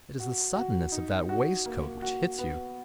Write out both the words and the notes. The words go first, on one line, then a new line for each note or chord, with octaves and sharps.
It is the suddenness of that waistcoat which hits you.
F#4
F#4
D#4
F#4
A#3
F#4
B3